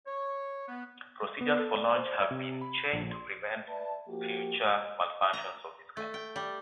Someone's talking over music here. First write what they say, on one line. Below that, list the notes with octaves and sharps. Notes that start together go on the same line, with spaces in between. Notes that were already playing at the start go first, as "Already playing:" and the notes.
Procedures for launch have been changed to prevent future malfunctions of this kind.
C#5
B3
B3
A4
D5
C5
G#6
C3
B5
A#1
C6
B4 D5 E5 A5
F3 A#3 F#4 G4
A#5
A3
G5
G3